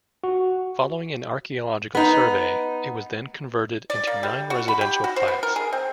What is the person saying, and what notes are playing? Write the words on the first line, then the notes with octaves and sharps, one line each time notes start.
Following an archaeological survey, it was then converted into nine residential flats.
F#4
B3 D#4
D5
A#3
G3
F#4
B5
G4
F#4
C5
B3
A#4
G#4
C4